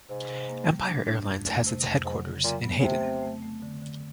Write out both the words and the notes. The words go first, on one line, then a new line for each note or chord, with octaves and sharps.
Empire Airlines has its headquarters in Hayden.
G#2 C3
C3
A#3
G3
D4
D4
F2
A3
C3
F2
G#2 F#3
C#3
A#2 F#3
B3
C#3
C3 A3
C4
A3
A3
D3
D3